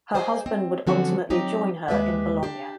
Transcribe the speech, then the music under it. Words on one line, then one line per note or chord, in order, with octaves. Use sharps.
Her husband would ultimately join her in Bologna.
G#4 C5 D5 D#5 G#5
C4
D3 F3 F#3 C4 C#4 F#4
F#3 C4 D#4 G4
D#2 G#3 G4 B4 D5 E5
D4 G4